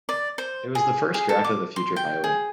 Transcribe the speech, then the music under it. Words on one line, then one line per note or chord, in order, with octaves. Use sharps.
It was the first draft of the future highway.
D5
C5
G#4
G#4
A4
D6
C6
G5
G#4